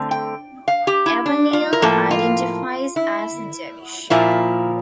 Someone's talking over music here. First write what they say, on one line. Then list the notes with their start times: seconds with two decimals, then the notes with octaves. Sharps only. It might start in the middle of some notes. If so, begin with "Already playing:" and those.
Evanier identifies as Jewish.
Already playing: D3 A3 C4
0.11 G5
0.68 F5
0.87 G4
1.06 E4
1.26 D4
1.53 F4
1.73 A#4
1.82 A2 F3 A#3 A4
2.11 F4
2.96 E4
4.10 A#2 F3 A#3 E4